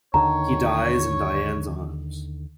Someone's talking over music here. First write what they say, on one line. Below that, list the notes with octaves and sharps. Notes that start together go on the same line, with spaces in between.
He dies in Diane's arms.
D#2 D3 D#3 C#5 A#5